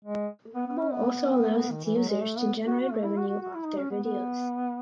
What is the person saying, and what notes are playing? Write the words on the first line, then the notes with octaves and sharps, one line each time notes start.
Rumble also allows its users to generate revenue off their videos.
G#3
B3
B3
C#4
B3
D#3
E3
F#3
G#3
A3
B3
F#4
F#4
A3
E4
F#4
F#4
F#4
E4
D#4
C#4
B3
B3